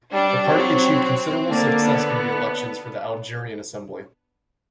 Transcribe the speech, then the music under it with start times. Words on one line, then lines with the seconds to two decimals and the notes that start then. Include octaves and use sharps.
The party achieved considerable success in the elections for the Algerian Assembly.
0.12 G3 D4
0.46 F#3 C4
1.49 D3 A#3
1.84 B3